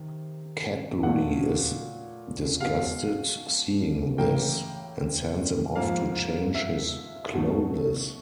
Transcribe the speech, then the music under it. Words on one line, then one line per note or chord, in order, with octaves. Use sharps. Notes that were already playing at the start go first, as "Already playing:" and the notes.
Cadbury is disgusted seeing this, and sends him off to change his clothes.
Already playing: C3 D#3
A#2 F#3 A3 F#5
B2 G#3 F5
A2 E3 G3 A#3 G5
G#2 F3 A#3 F5
E5
B2 F#3 A3